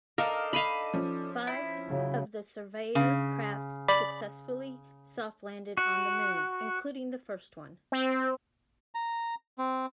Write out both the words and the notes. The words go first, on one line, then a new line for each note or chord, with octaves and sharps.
Five of the Surveyor craft successfully soft-landed on the moon, including the first one.
D4 D#4 A4 A#4 F5
D#5 F5 B5 D#7
F3 C#4
E4
C#3 F#3
C#3
D5 B5
F#4
C4
A#5
C4